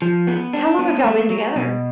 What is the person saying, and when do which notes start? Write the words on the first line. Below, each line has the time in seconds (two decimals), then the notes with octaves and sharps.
How long have y'all been together?
0.02 F3
0.27 B3
0.53 D4
0.79 B3
1.04 A3
1.30 F#3
1.56 B2